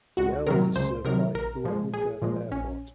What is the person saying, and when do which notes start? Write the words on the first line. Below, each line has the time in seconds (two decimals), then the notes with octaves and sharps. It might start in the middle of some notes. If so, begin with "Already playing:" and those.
The island is served by Ua Huka Airport.
0.17 C#2 F#4
0.47 C3 D#3 F#3 A#4
0.76 C#2 C5
1.05 C3 D#3 F#3 A#4
1.34 A#1 A#4
1.64 A#2 F3 G#3
1.93 A#1 G#4
2.22 A#2 F3 G#3
2.52 A#1 C#4